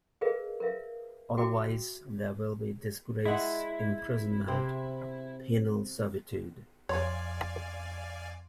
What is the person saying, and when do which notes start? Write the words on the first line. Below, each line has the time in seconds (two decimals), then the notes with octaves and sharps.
Otherwise there will be disgrace, imprisonment, penal servitude.
0.21 G#4 A#4 B4 D#5 F5
0.60 A#4 B4 E5 F5
1.37 F#4 E5 G5 D6
3.25 G#3 E4 F#5
4.48 C3 C4
6.89 F2 C#5 D5 F5 G#5 C6 G#6